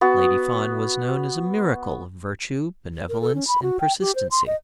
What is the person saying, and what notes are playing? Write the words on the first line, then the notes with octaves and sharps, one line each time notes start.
Lady Fawn was known as a miracle of Virtue, Benevolence, and Persistency.
B3 F#4
A#4
A4
C#4
B5
F#4
G5
G4
C5
C6
D#5